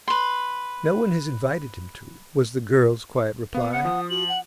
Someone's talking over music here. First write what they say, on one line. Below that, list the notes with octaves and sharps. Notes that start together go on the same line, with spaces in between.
'No one has invited him to,' was the girl's quiet reply.
B4 C6
B3 F5
F#5 C#7
F3 D#6
F#4 F#7
F#5